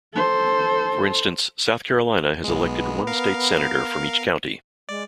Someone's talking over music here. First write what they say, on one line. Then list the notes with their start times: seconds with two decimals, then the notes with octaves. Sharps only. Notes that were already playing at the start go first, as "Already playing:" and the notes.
For instance, South Carolina had elected one state senator from each county.
0.14 A4 C5
2.44 B1 G#3 B3
3.07 A#4 F5
4.89 G#3 D5